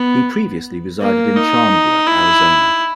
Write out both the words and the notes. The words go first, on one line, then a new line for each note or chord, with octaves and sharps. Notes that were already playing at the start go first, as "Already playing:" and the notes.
He previously resided in Chandler, Arizona.
Already playing: B3
A#3
D#4
E4